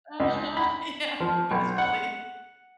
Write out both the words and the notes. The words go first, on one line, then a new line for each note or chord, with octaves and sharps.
Uh-huh, yeah, it was really
C#2
B5
F3
B1
F#5